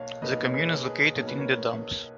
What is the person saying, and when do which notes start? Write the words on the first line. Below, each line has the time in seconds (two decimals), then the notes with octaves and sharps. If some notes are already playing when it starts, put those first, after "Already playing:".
The commune is located in the Dombes.
Already playing: B1 B2 A#3 C#5 F5
0.22 B1 B2 A#3 B4 D#5
0.45 C#5
0.53 G#4 B4
0.84 G#4 B4
1.15 B1 B2 A#3 C#5
1.28 B4
1.39 A#4 C#5